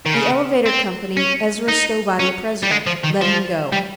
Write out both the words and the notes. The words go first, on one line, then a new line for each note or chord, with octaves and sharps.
The elevator company, Ezra Stowbody president, let him go.
D#3
C#3
C4
C#4
D#4
C#4
G3
G#3
F3
D#3
F3
G3